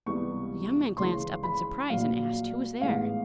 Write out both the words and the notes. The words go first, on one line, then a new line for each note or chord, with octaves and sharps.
The young man glanced up in surprise, and asked who was there.
C#2 C3 E3 G3 B3 C#6
C#2 C#3 E3 C6
B5
A#1 A#2 F#3 F5
A1 G#2 E3 G#3 B3 F5